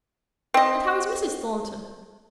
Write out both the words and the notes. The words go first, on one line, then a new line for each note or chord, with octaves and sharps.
And how is Mrs. Thornton?
C4 D#5